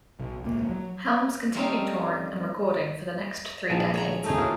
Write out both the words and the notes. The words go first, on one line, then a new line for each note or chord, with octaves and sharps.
Helms continued touring and recording for the next three decades.
B1
C#2 A#2 A#3
F#3
G3 A3 A#3 C4 C#4 D#4
A#1 G#3 A5
C#5 A#5
A3 D#4 G#4
A2 A#3 F4 F#4